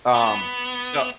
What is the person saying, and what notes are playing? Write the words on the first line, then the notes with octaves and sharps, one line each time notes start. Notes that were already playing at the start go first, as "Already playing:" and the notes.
Um, so
B3